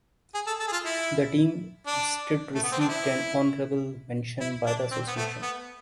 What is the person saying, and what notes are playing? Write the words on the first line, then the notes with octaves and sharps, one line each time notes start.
The team instead received an honorable mention by the association.
G#4
A4
A4
G#4
F4
E4
D4
A3
B3
C4
D4
E4
E4
D4
C4
B3
A3
B3